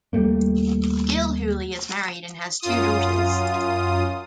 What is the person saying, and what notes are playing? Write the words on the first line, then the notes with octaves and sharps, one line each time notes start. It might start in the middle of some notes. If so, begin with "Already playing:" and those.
Gilhooly is married and has two daughters.
D#2 G3 A3 A#3
F#2 F4 D#6